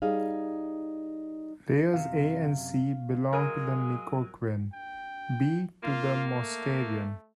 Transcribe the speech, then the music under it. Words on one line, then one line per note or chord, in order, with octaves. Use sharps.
Layers A and C belong to the Micoquien, B to the Mousterian.
G3 D#4 G#4 F5
F#2 C3 F5
F#3 G#3 A#4 G#5
G5
A#3 F4
A3